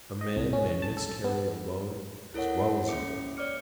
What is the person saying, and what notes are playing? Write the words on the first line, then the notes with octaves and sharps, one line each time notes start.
A man may miscarry alone as well as in company.
D#5
C2
C#4
A5
A4
B3
E4 A4 A#4 C#5 F#5
A#3 C#4 E5 D6 C#7
C#5 D5 D6 F6 C#7